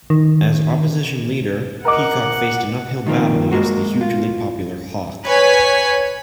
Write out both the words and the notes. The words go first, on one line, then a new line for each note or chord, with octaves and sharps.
As Opposition Leader, Peacock faced an uphill battle against the hugely popular Hawke.
D#3
A#4 D#5 F#5 D6
D#3 F3 A#3 C4
G#3 A#3 F#4
F4
B4 C#5 G#5 G#6 B6